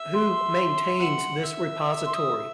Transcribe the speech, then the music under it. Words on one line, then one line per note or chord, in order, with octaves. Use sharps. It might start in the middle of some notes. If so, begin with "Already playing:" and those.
Who maintains this repository?
Already playing: E5
C6
F#5
E5
C6
D#6